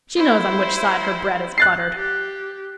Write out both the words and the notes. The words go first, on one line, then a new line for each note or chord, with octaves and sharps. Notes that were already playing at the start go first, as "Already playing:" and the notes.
She knows on which side her bread is buttered.
E4 C5
F#6 A6 C7
G4